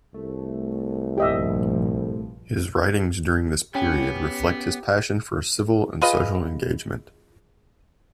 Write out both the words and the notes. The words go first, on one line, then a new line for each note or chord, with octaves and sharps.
His writings during this period reflect his passion for civic and social engagement.
C2 A3
A#1 G2 F3 G4 D#5 E5
B3 C#4 G4 G5
F4 G#4 B4 D#5